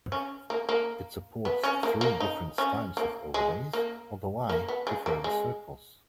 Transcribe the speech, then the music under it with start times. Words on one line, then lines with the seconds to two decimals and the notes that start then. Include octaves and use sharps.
It supports three different styles of overlays, although I prefer the circles.
0.12 C#4
0.50 A#3
0.69 A#3
1.45 B3
1.63 C#4
1.83 A#3
2.01 A#3
2.20 D#4
2.58 C#4
2.97 A#3
3.34 G#3
3.73 A#3
4.49 A#3
4.68 B3
4.87 G#3
5.06 A#3
5.24 G#3